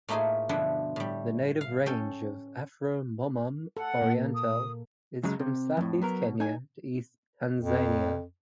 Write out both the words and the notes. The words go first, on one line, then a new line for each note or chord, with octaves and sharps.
The native range of "Aframomum orientale" is from Southeast Kenya to East Tanzania.
A2 A3 A#3 D#4 F4 G#4
G2 B2 D3 F3 E4
A2 G3
F5
C#4 A4 G5
A4 F#5
A#2 A#3
D#6
F#2 C#3 F#3 G#3
C3
F2 A2
F#3 B3 A#4
B2
D#4 G#5
F2